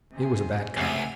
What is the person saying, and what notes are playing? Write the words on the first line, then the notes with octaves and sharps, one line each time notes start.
It was a bad cut.
C3 G#4
C#2 C3 A3 E5 F#5 G#5 F6 D#7